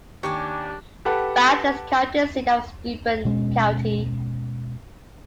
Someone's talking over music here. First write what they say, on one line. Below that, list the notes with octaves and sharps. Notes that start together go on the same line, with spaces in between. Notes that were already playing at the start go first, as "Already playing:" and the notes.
Bath is the county seat of Steuben County.
D#2 D4 G4 C#5 D5 G#5
G4 A4 B4 F#5
B2 G#3 C#4